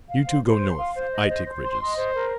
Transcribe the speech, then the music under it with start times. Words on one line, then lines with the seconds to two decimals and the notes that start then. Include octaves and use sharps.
"You two go north--I take ridges."
0.09 F5
0.26 C5
0.44 C5
0.62 C6
0.78 F5
0.96 C5
1.13 D#5
1.29 C5
1.46 C5
1.63 C6
1.80 D#5
1.97 C5
2.14 A#4